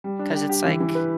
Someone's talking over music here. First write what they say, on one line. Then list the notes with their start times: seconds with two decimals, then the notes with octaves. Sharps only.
'Cause it's like
0.04 G3
0.19 D4
0.35 G4
0.49 G4
0.65 E3
0.80 E3
0.95 B4